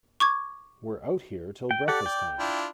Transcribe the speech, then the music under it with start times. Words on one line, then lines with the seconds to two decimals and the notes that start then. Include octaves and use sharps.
We're out here till breakfast-time.
0.20 C#6 D6 G#6
1.71 G5
1.88 G4 A4 D5 F#5
2.06 G5
2.39 D4 E4 F4